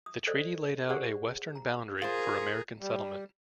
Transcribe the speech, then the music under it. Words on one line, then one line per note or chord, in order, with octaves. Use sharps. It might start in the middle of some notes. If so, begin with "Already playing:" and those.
The treaty laid out a western boundary for American settlement.
D#6
A4 C5 D5 D#5
G4 G#4 C5 D5 F#5
A#5
F4 G#4 A#4 C5
G3